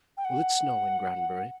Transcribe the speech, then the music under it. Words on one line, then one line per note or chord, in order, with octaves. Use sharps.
Will it snow in Granbury?
G5
F#5